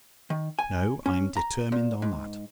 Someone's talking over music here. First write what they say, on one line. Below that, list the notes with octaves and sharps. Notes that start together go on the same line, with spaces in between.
No: I'm determined on that.
D#3
G#5
C#4
A#5
A#2
G#2